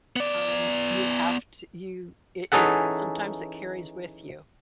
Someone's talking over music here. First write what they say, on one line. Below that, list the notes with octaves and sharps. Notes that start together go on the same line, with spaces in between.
um, you have t you it it sometimes it carries with you.
B3 D5
E3 C#4 D#4 G#4 A4 F#5